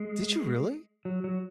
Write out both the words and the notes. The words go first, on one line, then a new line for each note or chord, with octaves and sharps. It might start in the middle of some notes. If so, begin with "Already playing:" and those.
Did you really?
Already playing: G#3
F#3
F#3